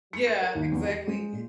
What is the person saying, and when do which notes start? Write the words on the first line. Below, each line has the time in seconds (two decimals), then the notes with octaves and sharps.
Yeah, exactly,
0.13 C#7
0.27 G6
0.42 A#4
0.55 D#2
0.72 E2
0.88 G4
1.07 G#3
1.33 A#2